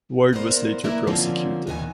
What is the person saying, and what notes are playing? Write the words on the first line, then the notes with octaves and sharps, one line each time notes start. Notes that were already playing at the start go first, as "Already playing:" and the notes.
Ward was later prosecuted.
A#2 B3 E4 A#4 C5
A#2 A#3 E4 B4 A#5
D3 F3 A#3 C4 C#4
D#2 B2 D#3 E3 B3 G#5